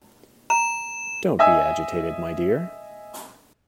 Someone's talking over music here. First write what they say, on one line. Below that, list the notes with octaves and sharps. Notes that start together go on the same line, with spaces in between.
Don't be agitated, my dear.
A#5 E7
D#5 E5 G#5 E6